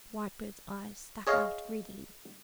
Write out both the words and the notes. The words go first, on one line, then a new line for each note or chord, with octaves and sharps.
Whitebird's eyes stuck out greedily.
G#4 C#5 D#5 F5